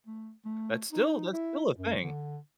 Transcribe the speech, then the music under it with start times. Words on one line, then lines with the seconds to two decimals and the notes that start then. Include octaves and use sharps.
That's still that's still a thing.
0.07 A3
0.45 A3
0.92 D#4
1.33 E4
1.78 F#2
2.02 D3